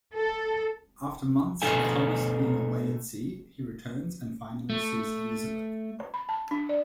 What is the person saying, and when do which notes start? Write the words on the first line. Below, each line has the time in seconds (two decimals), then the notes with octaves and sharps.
After months of Thomas being away at sea, he returns and finally sees Elizabeth.
0.14 A4
1.62 B2 A3 D4 A4 F5 G#5
4.70 A3
6.14 B5
6.29 A5
6.51 D4
6.69 D5